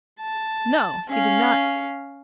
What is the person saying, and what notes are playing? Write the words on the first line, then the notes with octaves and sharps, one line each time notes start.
"No, he did not."
A5
C#4 F5